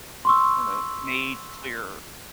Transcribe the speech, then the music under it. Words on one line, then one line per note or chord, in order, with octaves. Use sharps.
I don't know, made clear
C6 C#6 E6